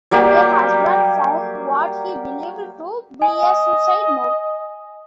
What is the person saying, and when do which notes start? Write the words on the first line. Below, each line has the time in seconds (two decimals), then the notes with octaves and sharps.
Her husband found what he believed to be a suicide note.
0.11 F#3 G3 A#3 G4
3.22 D#5 G#5